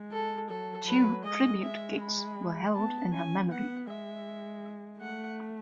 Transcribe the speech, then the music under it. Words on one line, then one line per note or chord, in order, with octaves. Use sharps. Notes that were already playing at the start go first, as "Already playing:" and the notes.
Two tribute gigs were held in her memory.
Already playing: G#3
A4
F#3 A4
F#3 B4
G#3 D#5
G#3 E5
B5
B3 A5
C#4 G#5
B3 F#5
G#3 E5
A3 F#5